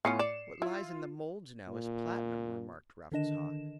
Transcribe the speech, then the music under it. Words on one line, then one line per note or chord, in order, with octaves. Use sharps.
"What lies in the moulds now is platinum," remarked Raffles Haw.
A2 B3 C#4 F4 C7 C#7
D5 E7
E4 F4
A#2
D3 D#3 D4 D#5 E7